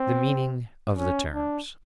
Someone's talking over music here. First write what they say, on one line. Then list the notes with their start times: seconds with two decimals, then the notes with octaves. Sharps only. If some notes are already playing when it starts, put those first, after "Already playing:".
The Meaning of the Terms.
Already playing: C4
0.97 C#4
1.34 D4